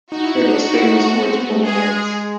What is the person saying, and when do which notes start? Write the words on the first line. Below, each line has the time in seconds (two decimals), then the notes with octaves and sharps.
It was famous for its boulevards.
0.12 D#4 F#4
0.24 E4
0.37 D#4
0.50 D4
0.62 D#4
0.75 E4
0.88 D#4
1.00 A3
1.13 B3
1.26 C4
1.39 B3
1.51 A3
1.64 G#3 G#4